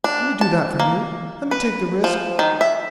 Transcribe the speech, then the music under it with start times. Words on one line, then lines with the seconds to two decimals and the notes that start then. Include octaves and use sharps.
Let me do that for you--let me take the risk.
0.04 D4
0.41 A5
0.80 A#3
1.51 B4
2.04 F3
2.39 D#3
2.61 E5